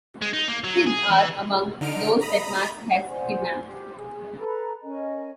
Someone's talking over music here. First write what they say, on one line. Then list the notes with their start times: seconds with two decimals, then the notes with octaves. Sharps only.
Pig are among those that Max has kidnapped.
0.22 G#3
0.33 D#4
0.48 A#3
0.64 F#3
0.87 G#4
1.10 E3
1.81 D3 D#4 F6 D7
2.21 A#5 B5 D#6
3.07 C5 D5 F#5 G#5
3.65 G4
3.98 G#4
4.39 A4 B4 A#5 B5
4.83 C#4 A#4 D#5 G#5